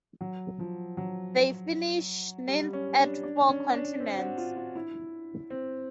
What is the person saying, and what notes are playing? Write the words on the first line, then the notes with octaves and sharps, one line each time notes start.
They finished ninth at Four Continents.
F#3
F3
F#3
G3
C#4
D4
D4
C#4
D4
C4
F#4
F4
F4
E4
C4